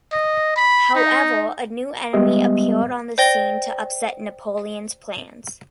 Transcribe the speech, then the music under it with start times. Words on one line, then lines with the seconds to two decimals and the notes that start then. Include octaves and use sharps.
However, a new enemy appeared on the scene to upset Napoleon's plans.
0.12 D#5
0.56 B5
0.95 D#4
2.13 G3 G#3 B3 G4 D#5 E5
3.18 C5 D5 G5 A#6 G7